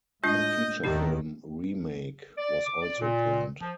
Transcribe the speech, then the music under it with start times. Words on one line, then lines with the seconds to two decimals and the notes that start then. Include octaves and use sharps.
A feature film remake was also planned.
0.24 A2 G#3 D4 F4 D#5 G6
0.84 D#2 D#3 A3 D4 D#4 G4
2.38 D5
2.65 D6
2.81 D5
2.98 A#2
3.60 F3